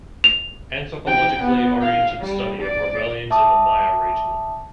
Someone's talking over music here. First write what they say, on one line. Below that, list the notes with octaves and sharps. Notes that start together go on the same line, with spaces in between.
Anthropologically oriented study of rebellions in the Maya region.
F7
G5
B3
F5
G3
D5
E5 A5 D6 D#6